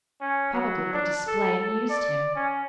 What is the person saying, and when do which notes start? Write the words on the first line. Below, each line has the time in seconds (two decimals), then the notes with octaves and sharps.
Probably the display amused him.
0.21 C#4
0.54 F#3
0.93 D4
1.27 A4
1.60 A4
1.90 D5
2.36 C#4